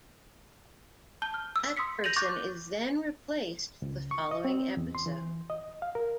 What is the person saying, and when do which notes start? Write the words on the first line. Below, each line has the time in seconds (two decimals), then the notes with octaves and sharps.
That person is then replaced the following episode.
1.22 A5 G6 G7
1.34 F6
1.56 E6
1.76 C6 D#6 E6 B6 C#7
2.04 G6 A#6 D#7 F7 F#7
2.16 C#6 D6 F#6 G6 A6
3.82 C#2
4.11 C#6
4.31 D#5
4.45 C4
4.77 E2
4.95 C6
5.06 E3
5.50 D#5
5.82 F5
5.95 A#4